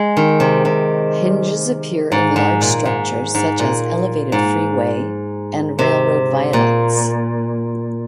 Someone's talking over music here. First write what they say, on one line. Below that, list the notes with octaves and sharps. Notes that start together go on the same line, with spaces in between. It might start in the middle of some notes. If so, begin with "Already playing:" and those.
Hinges appear in large structures such as elevated freeway and railroad viaducts.
Already playing: G#3
D#3
C3
C3
G#2
G#2
A#2
G#2
G#2
A#2
G#2
C3
A#2